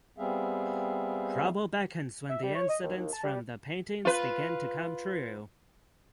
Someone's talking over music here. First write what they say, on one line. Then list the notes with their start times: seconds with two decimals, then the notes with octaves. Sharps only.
Trouble beckons when the incidents from the paintings begin to come true.
0.18 G3 B3 C4 G#4 E5 F5
2.29 E5
2.43 G3
2.55 C#5
2.69 D#5
2.82 D#2
2.97 D#2
3.12 A5
3.23 G3
4.05 F4 B4